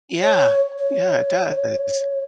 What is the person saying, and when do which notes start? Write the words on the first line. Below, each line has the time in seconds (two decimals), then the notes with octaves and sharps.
Yeah. Yeah, it does.
0.22 C#5
0.78 C#5